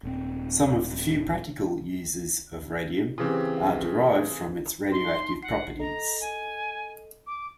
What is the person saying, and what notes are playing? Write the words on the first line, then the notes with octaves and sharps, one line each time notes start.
Some of the few practical uses of radium are derived from its radioactive properties.
D#1 C4
C#3 E3 C4 G4
D#4 C6
F#5 C7
A4 D#5 A#5
G#5
D6